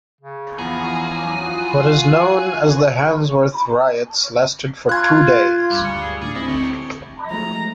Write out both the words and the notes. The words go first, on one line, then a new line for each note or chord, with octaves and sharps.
What is now known as the Handsworth Riots lasted for two days.
C#3
E2 F3 B3 G#4 A#5
F#3
F4 F#4
F4 F#6 G#6
G2 G3 D6
D2 G#5 C#6
G#4
A2 D3 G#4 D5
D2 C4 E4 D#5 A6
A3 G4 C#5
F3 G#3 A3 A#5